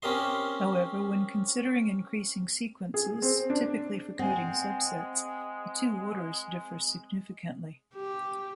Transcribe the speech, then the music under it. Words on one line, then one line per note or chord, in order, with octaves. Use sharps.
However, when considering increasing sequences, typically for coding subsets, the two orders differ significantly.
C4 C#4 G4 A#4 D#5 C6
G#4
C4
D4
G#3 C4 F#5 G#5
G4